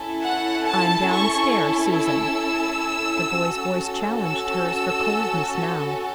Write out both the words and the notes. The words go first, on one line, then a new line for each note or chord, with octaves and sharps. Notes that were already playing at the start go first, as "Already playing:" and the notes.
"I'm downstairs, Susan." The boy's voice challenged hers for coldness now.
Already playing: C#4 E4 A4
F#5
A5
C#6
E6
C#4 F#4 A4
E6